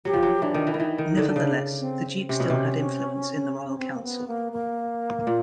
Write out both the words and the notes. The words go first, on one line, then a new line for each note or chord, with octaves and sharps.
Nevertheless, the Duke still had influence in the Royal Council.
F#3 G4
F3
F#3
E3 D4
D#3
E3
D#3 E4
E3 D#4
D#3
D#4
D3
D4
C#3
C4
C3 C#4
B2
C3
C#4
C4
A#3
B3
A#3
A#3
A#2